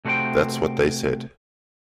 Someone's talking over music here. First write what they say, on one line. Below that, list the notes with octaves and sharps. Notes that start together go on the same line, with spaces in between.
That's what they said.
C3 A3 F#4 G#4 C5 G5